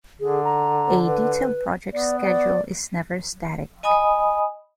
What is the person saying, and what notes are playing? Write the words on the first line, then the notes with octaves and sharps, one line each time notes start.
A Detailed project schedule is never static.
D3 G#4
A#5
B4
B3 D5
D5
D#5 G#5 B5 D#6